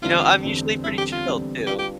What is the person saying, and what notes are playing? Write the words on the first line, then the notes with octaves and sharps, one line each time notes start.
you know, I'm usually pretty chill too.
E2 D3 G3 C4 F4
E2 D3 G3 C4
E2 D3 G3 C4 E4
G4
F4
E2 D3 G3 C4
G3 D4 F4 G4 B4
G4